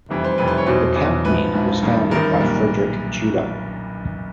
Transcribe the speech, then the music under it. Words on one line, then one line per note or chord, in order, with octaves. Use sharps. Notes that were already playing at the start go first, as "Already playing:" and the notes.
The company was founded by Frederic Tudor.
F1 F2 C3 E3 G3
C5
F1 F2 C3 E3 G3 B4
C5
C#5
E2 B2 F#3 C5
E2 B2 F#3
A#1 G#2 F3 B4
A#1 G#2 F3
A1 G2 D#3
A1 G2 D#3 A#4
B1 A#2 G3